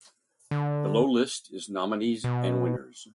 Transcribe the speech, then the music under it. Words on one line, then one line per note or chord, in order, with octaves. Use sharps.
Below list is nominees and winners.
D3
B2